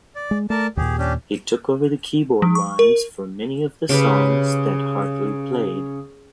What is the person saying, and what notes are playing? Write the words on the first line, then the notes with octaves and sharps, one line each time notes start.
He took over keyboard lines for many of the songs that Hartley played.
D5
G#3
A3 A#4 D5 A5
D#2 A#2 G4 G#4
C#4 D4 G4
F3
C#6
A#4
C#3 G4 B4